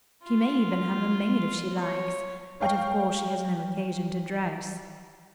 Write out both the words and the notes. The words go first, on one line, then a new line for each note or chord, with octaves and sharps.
She may even have a maid if she likes; but of course she has no occasion to dress.
F4
C#5
C#5 F5 G5 C#6